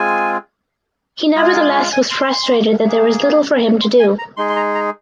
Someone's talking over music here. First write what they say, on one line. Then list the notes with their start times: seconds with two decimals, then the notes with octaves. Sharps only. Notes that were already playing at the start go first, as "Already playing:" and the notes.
He nevertheless was frustrated that there was little for him to do.
Already playing: G#3 C4 F4 G#4 G#5
1.35 G#3 F4 G#4 D#5
1.54 A#4
1.74 G#4
1.93 G#5
2.11 C6
2.86 A#3 G#4
3.81 C6
4.00 G#5
4.18 A#5
4.37 G#3 D#4 G#4 C6
4.50 C6
4.56 A#5
4.75 A#5